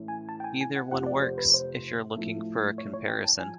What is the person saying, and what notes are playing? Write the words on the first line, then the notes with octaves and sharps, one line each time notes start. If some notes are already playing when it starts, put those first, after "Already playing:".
Either one works if you're looking for a comparison.
Already playing: A2 E3 A3 C#4
G#5
A5
G5
G#5
G#5
F#5
F1 F2 C3 F3 F#5
D5
C5
B4
C5
A2 F3 A3
C#5
C#5
G5
A5
F3 G#5